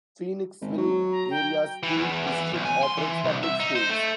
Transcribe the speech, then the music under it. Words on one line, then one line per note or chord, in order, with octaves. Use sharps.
Phoenixville Area School District operates public schools.
G#1
F#3
A#5
G5
E3
E2
E3
B1
G#5
C6
E3
C2
E5
D#4
C5
A3